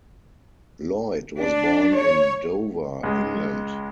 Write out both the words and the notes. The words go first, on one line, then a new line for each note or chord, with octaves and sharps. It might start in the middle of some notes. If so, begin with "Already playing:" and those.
Lloyd was born in Dover, England.
D4
C#5
C#2 G#3